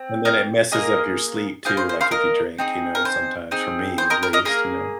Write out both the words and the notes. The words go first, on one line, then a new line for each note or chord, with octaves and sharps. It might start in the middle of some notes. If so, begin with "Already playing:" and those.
And then it messes up your sleep too, like, if you drink, you know, sometimes for me, at least, you know.
Already playing: C4
A#4 D#5
A#3 G#4 A#4 D#5
A#3 F4 G#4 C5 F5
C5
C5
C5 F5
A#4 D#5
C4 D#4 G#4
A#4
C5
C4 D#4 G#4
C5
A#4 D#5
A#4
A#4 D#5
A#3 G#4 A#4